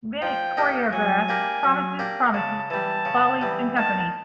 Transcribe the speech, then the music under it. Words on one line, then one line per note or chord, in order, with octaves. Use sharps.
Bennett choreographed "Promises, Promises", "Follies" and "Company".
F3 G5
A#3 D#4 G4 A#4
F#3 G#5
A#3 D4 G4 A#4
F#3
A#3 D4 G4 A#4
C#3 A5
E3 G3 A5
C#3
E3 G3
D#3 A5